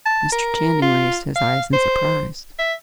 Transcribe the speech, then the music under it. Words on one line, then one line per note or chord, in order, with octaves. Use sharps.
Mr. Channing raised his eyes in surprise.
A5
A#4
F4
F5
C5
E5